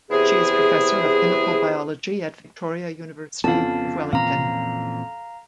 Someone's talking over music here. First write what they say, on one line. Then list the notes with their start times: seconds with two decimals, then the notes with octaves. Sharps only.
She is Professor of Chemical Biology at Victoria University of Wellington.
0.10 E2 C3 E4 G#4
3.44 F2 C#3 F3 B3 F5 A5
4.13 A#2 E3 C4 F5 A#5